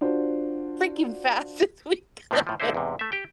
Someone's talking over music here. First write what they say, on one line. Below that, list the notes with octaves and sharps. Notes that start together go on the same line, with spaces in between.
freaking fast as we could.
D4 F4 F#4 C5
A2 C3 F3 A3 B3 C4
A2 E3 F3
C2 D3 D#4 E4 C5
E2 G#2 C3
A3 E5
G4 G5